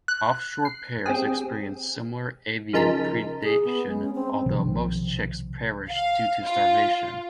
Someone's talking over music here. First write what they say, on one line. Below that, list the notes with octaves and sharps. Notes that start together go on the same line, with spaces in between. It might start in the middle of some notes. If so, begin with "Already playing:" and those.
Off shore pairs experience similar avian predation although most chicks perish due to starvation.
F#6
C7
C4 G4 G#4
C#3 F3 D#4 A#4 A5 B6
G#4
B3
G#3
C#4
C4
B1 C3 D#3 F3
F5
F4